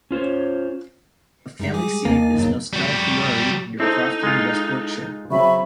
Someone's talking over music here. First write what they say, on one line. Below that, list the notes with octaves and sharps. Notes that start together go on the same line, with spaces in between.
The family seat is Nostell Priory, near Crofton, West Yorkshire.
C#4 F4 C5 C#5
F#2 G3 G#3 D#4 E5
G#4 G#5 D6
E2 A#3 D#4 G#5 A5
F#2 C#3 F#3
G3 F#4
C4 D#4 E4 A4
G#3 F4
C#3 F#3 C4 E5 B5 C#6